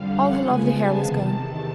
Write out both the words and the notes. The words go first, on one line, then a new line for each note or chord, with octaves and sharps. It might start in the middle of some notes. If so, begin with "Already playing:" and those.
All her lovely hair was gone!
Already playing: F2 D3 G3 F5
F#5
C#3 F3 G#3 B3 G#5
A5
E2 C3 D#3 A5
A5